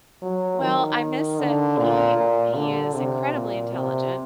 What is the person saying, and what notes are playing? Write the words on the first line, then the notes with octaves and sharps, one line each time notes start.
Well, I miss that he he is incredibly intelligent
F#3
D#3
D3
A#2
A#2
D3
C3
A#2
C3